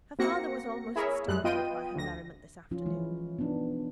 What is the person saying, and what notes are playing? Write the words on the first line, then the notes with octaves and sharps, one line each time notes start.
Her father was almost startled by her merriment this afternoon.
A#3 C4 F#4 A#6 C#7
E4 G#4 A#4 C#5 E5
F#2 G3 F#6
B3 F4 D#5 G5 D#7
D2 A#6
F3 C#4 F4
E3 G#3 E4
B3 D4 D#4